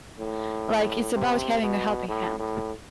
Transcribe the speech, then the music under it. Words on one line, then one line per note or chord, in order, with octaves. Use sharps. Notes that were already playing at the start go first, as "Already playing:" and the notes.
Like it's about having a helping hand.
A2
C3
B2
A2
A2